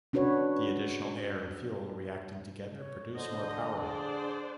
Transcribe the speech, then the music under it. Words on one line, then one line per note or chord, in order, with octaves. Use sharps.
The additional air and fuel reacting together produce more power.
C#4 D4 F#4 B4 C#5
C#5
D3 C5 D#5
D4 G#4 C5 D5